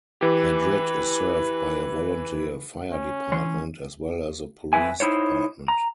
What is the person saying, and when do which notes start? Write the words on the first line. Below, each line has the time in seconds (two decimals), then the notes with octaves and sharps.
Madrid is served by a volunteer fire department, as well as a police department.
0.21 E3 G4 B4
2.92 C#4
3.32 E3 C#5 C6
4.73 F2 D#3 B4 E5 G#5
5.00 D#4 E4 C5 C#5
5.68 A#5